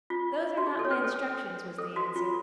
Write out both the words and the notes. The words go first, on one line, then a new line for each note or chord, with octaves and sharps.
'Those are not my instructions,' was the answer.
F4
F#4
G#4
A4
C#5
B4
A4
A4
F#4
F4